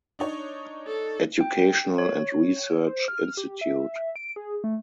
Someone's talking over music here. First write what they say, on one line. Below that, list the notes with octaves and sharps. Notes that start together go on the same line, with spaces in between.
Educational and Research Institute.
D4 D#4 C#5
A4
G5
C#5
C5
F6
G4
E5
D7
G#4
A3